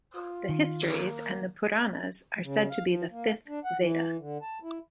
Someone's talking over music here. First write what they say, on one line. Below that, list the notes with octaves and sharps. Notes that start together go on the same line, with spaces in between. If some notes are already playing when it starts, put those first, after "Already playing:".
The histories and the Puranas are said to be the fifth Veda.
F4
D#3
A#3
C#3
F5
F3
A#3
D4
F#5
E3
D3
A5
E4